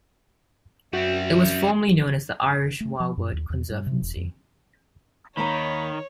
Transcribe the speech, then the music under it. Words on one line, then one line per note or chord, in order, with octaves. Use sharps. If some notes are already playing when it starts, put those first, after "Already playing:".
It was formerly known as the Irish Wildbird Conservancy.
F#2 G3 C4 F#4 E5
A3
F3
F#2
D#2
E2
G2
C3
E1
F2
D#2 D#3 A#3 C#5 A#5 B5